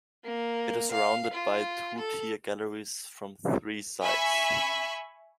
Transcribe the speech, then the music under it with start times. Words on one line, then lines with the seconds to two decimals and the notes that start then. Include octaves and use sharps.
It is surrounded by two-tier galleries from three sides.
0.25 A#3
0.91 F5
1.33 F4
1.98 A4
4.02 E5 G#5 B5 C#6 E6